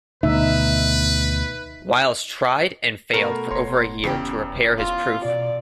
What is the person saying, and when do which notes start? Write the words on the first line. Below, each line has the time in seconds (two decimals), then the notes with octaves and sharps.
Wiles tried and failed for over a year to repair his proof.
0.23 D2 B2 D#4 B4 E5
3.14 B2 A3 A#4
3.51 F1 C#5 A#5 C6
4.04 F1 E2 C#3 C#4 G4
4.78 F4
5.25 B2 D5